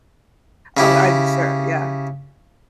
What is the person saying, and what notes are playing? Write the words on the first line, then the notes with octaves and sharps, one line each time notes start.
Oh, I'm sure, yeah.
C#3 E4 G4